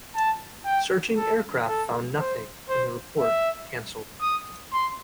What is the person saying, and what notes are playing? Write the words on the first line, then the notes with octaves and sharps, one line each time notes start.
Searching aircraft found nothing and the report cancelled.
A5
G5
A4
A4
C5
C5
E5
D#6
C6